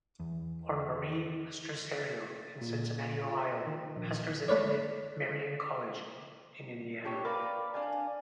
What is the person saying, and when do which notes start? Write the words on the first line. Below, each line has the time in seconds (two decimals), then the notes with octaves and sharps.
Born Marie Mastruserio in Cincinnati, Ohio, Masters attended Marian College in Indiana.
0.20 E2
1.98 A6
2.61 A#2
3.24 F4
3.67 D#3
3.96 A#1
4.48 A3 B4 C#5 D5
7.05 D4 G4 C#5
7.25 A#4 B4 D5 F5
7.74 D4 F5 G#5